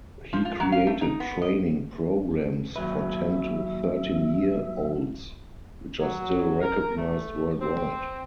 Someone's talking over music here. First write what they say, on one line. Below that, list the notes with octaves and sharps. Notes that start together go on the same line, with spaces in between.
He created training programs for ten to thirteen-year-olds which are still recognized worldwide.
F3
F4
F#3
F5
A3
D#4
B3
D#5
D#2 F#3 B4 E5
F#3
A#4
A3
C4